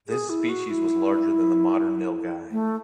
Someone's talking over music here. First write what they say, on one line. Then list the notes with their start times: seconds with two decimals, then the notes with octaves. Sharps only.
This species was larger than the modern nilgai.
0.08 G#4
0.30 E4
0.49 F#4
0.70 E4
2.51 A3